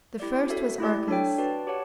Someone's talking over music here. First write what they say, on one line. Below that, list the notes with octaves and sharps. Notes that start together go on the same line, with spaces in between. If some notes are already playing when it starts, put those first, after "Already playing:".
The first was Arcas.
E4 G4 D5
F#4 A4 E5
A3 E4 G4 D5
D4 A4 C#5 G5
F#4 B4 D5 A5
G4 C#5 F#5 A5